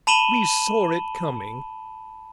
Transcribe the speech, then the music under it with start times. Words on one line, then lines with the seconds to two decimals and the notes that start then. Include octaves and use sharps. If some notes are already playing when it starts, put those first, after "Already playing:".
We saw it coming!
0.07 A5 B5 D#7 E7 F#7 G7